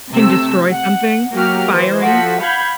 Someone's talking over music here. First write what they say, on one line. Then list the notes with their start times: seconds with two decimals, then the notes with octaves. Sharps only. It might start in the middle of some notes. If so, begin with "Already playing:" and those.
can destroy something? Firing?
0.10 C3 A3 E6
0.73 F#5
1.33 F#3 A#3 F#4 G4 F6
1.70 E3 C5
2.02 F3 F#4 A4 B6
2.40 F5 F#5 B5 G6 G#6